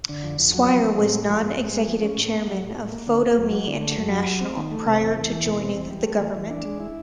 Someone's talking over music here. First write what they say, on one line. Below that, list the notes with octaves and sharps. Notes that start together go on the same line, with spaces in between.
Swire was non-executive chairman of Photo-Me International prior to joining the Government.
D3
F2
F2
F#3
F3
C4
A2
G#3
F3
G#2
G#2
G#3
F3
C#4
A2
A#3
F#3
A2
A2
A#3
D3
A#3
F#2
F#3
D3
A3
F#2
F#3
F#3
C4
D#3
A3
C3
E2
E2
E3
B2
C4
E2
G3
A3
E3
E3
D4
G#3
E4